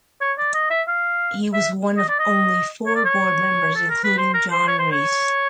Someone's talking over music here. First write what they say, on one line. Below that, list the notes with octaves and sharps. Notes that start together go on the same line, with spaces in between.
He was one of only four board members, including John Rees.
C#5
D5
D#5
E5
F5
E5
D#5
D5
D#5
C#5
D5
C#5
A4
A#4
B4
C5
A#4
C5
C#5
C5
C#5